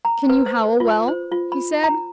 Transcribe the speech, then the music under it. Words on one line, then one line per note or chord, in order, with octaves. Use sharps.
'Can you howl well?' he said.
A#5
B4
C5
F4
C5
F4
B5
A#5